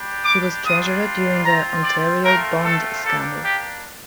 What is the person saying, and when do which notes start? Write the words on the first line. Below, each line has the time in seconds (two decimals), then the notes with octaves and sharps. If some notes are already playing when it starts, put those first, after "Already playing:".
He was treasurer during the Ontario Bond Scandal.
Already playing: G3 D4 G4
0.23 D6
0.64 G3 D4 F4 D#6
1.44 C4 F4 A#5
1.83 D5
2.23 A3 C4 F4 A#4
2.63 A4
3.03 A#3 D4 G4 A4
3.43 G4